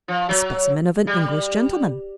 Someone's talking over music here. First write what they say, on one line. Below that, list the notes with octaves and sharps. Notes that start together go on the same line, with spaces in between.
"A specimen of an English gentleman."
F3
F#3
G3